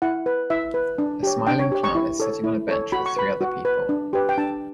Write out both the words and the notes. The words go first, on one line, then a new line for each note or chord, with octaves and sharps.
A smiling clown is sitting on a bench with three other people.
E4 F#5
B4
E4 E5
B4
D4
G4 C#5
D4 G5
C#5
G4 C#5
C#6
E4
A4 C#5
E4
A4 C#5
F#4 B5
C#6
B4 B5
F#4
B4
D4
G4 B4
G5
D4 A5